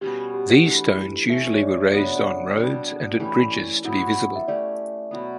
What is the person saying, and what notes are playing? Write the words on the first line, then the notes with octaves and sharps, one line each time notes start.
These stones usually were raised on roads and at bridges to be visible.
B2 G3 C#4 G4
G4
E3 A3 D4
A3 C#4 G4 E5
C#5
D5
C#3 F#3 B3 D4 D5
C#5
D5
C#5
B2 G3 D4 G4 D5
E3 A3 C#4 G4
F#3 B3 E4 G4
E5
A3 C#4 G4 D5
B2 F#3 B3